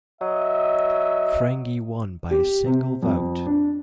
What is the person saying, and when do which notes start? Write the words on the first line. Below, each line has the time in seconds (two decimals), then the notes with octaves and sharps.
Frangieh won by a single vote.
0.21 F#3 D#5 E5
2.31 G4
2.66 C3
3.03 F2
3.46 D4